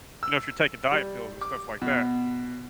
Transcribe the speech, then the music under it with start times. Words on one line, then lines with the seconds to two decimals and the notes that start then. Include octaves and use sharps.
you know, if you're taking diet pills and stuff like that.
0.23 E6
0.91 G3
1.41 D6
1.82 B2